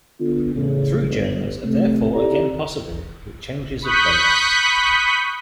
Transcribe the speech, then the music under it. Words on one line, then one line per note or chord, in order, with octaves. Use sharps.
Through journeys are therefore again possible, with changes of boats.
D3 B3 F4
E2 A2 C#3
G1
C3 A3
C4 E4 G4 A4 D5 A#5
B5 C#6 D#6 F#6 G6 B6